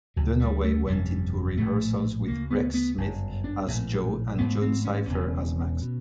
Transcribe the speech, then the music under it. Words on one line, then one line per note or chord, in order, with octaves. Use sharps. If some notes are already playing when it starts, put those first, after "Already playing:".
Dunaway went into rehearsals with Rex Smith as Joe and Jon Cypher as Max.
D2 C#3 F#3
G3
A3
G1 F2 C3 G3
A#1 A2 A3
D2 C#3 A#3
B3
B3
G1 F#2 C#3
D4
A#1 A2
A1 G#2 B3
C4
C#4
E1 E2 C#3
B2